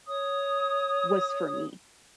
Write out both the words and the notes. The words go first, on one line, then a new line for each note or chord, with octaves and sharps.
was for me
C#5 D#6